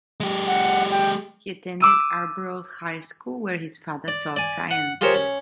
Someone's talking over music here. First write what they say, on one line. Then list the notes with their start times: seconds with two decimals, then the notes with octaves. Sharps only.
He attended Arbroath High School, where his father taught science.
0.20 G#3 G4
0.47 F#5
0.91 G5
1.80 D6 E6 D#7
4.08 D5
4.36 D5 G#5
4.71 F#5
5.01 F4 G4 G#4 A#4 C5 C#5
5.14 C#4